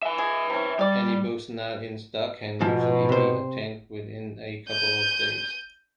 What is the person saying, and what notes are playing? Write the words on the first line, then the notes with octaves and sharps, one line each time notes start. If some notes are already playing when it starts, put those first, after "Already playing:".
Any books not in stock can usually be obtained within a couple of days.
E5 G#5
G#4
C3 C#4
G3 G4 D5
G#2 B2 F3
C3 C5
G6 D#7